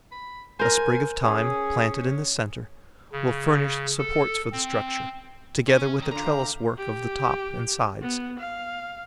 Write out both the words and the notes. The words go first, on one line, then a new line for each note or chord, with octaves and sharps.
A sprig of thyme, planted in the centre, will furnish supports for the structure, together with the trellis-work of the top and sides.
B5
A#4 C5 G#5
C#4 G#4
C#3
A4
C4
C#4
F2 D#3
D3 F4 A#5
E5 F5 G5
G4
B3
F5